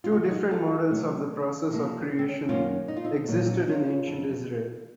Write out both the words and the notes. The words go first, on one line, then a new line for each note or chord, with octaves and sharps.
Two different models of the process of creation existed in ancient Israel.
F4
C3 D#3 A3 D#4 F#4
F4
D#4 F#4
F4 A4
C3 F#3 A3
C3 F3 A#3
C4
C#4
F#2 D#3 A#3 C#4 F4
D#4
F4
C4 D#4
A#2 F#3 A#3
C4
C#4
D#4
C#4 F4
F2 D#3 F#3